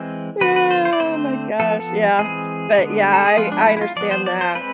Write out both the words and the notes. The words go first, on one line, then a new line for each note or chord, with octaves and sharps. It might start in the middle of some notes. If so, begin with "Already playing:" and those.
oh my gosh, yeah. But, yeah, I I understand that,
Already playing: E3 G#3 C4
D3 F3 B3 B4
B4
C5
C5
D5
D3 A3 C4 C5
F3 B3 A4
A4
E3 G#3 C4 G#4
D3 G#3 B3
A4
G#4
F3 G#3 B3 F4
D4
F4
E4
E4
F4
F3 B3 D5
C5
D5
C5
G#3 C4 B4